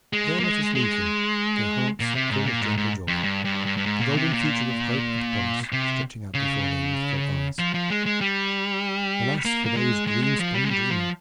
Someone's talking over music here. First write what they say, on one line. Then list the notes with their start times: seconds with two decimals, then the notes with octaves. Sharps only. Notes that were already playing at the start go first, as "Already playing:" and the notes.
There let us leave them, their hearts full of gentle joy, the golden future of hope and promise stretching out before their youthful eyes. Alas for those green spring dreaming!
0.13 G#3
0.40 A#3
0.44 G#3
0.75 G#3
2.00 A#2
2.15 C3
2.30 G#2
2.46 A#2
2.62 G#2
2.77 G#2
3.08 F2
3.24 G2
3.45 G2
3.66 G2
3.77 G2
3.86 G#2
4.01 A#2
4.17 C3
4.33 A#2
5.72 C3
6.34 C#3
7.59 F3
7.75 F3
7.90 G#3
8.06 G#3
8.21 G3
9.45 A#3
9.66 A#3
9.76 G#3
10.07 G#3
10.23 G#3
10.39 F3
10.54 G3
10.65 G#3
10.70 G3
10.90 F3